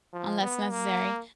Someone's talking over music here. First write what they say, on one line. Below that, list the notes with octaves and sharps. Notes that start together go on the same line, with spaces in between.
unless necessary,
F3
B3
A#3